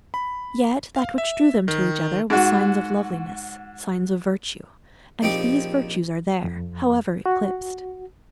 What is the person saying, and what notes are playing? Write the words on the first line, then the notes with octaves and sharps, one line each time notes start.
Yet that which drew them to each other was signs of loveliness, signs of virtue; and these virtues are there, however eclipsed.
B5
F5
E5
D#3
G#2 F#4
A#1 F3 C4 D#4 G4 D6
F2
F#4